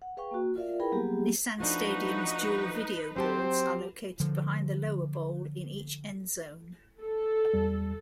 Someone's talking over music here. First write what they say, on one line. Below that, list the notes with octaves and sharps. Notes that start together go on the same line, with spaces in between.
Nissan Stadium's dual videoboards are located behind the lower bowl in each end zone.
F#5
G#4 B4 F5 G5 C#6
A#3 F#4
F4 A#4 D5 E5 F5
E4 G#4 A#4 B4 G5 B5
F#3 G3 A#3 B3 G4 G#4
F3 A3 D4 D#4 F#4 B4
F#3 C4 G4 C5 A5
D3 F3
A4
E2 G3